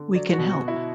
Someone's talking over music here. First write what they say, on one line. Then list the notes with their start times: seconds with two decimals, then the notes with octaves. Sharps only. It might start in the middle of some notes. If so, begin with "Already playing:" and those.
We can help.
Already playing: D3
0.14 F#3 D5
0.33 F#4
0.38 B2
0.51 F#4
0.62 B2
0.68 E4